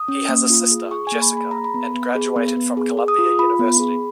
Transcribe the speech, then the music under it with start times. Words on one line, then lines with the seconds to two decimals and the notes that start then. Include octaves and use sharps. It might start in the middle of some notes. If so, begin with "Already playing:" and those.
He has a sister, Jessica, and graduated from Columbia University.
Already playing: D#6
0.08 C#4
0.29 A#3
0.50 F4
0.71 G#4
0.91 G#4 C#6
1.07 G#5
1.12 A#3
1.22 B5
1.33 G#4 B5
1.51 G#4 A#5
1.64 B5
1.74 B3
1.95 B3
2.15 G#4
2.36 B3
2.57 B3
2.77 G#4
2.97 G#4
3.08 D#6
3.19 F4
3.39 F4 B5
3.59 B3
3.80 G#4